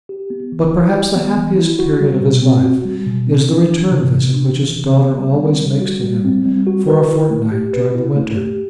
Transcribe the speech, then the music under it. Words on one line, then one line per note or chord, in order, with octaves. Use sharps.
But perhaps the happiest period of his life is the return visit which his daughter always makes to him for a fortnight during the winter.
G4
B3
E3
E4
G4
B3
E3
E4
F#4
G3
B2
C4
F#4
G3
B2
C4
D4
E3
C3
B3
D4
E3
C3
B3
G3
C4
G3
F#4
G3
C4
G3
F#4
B4
E4
A3
G4
B4
E4
A3
G4